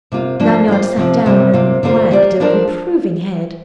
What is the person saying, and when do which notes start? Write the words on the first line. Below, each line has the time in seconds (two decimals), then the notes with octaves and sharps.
Lanyard sat down and wagged a reproving head.
0.12 C3 A#3 F4
0.40 F3 A#3 D4
0.68 A#3 F4 C5
0.97 C3 F3 C4
1.26 C3 G3 A#3
1.54 C3 A#3 F4
1.83 D3 A#3 F4 C5
2.11 A#3 G4 D5
2.40 F3 D4 F4 A#4 D5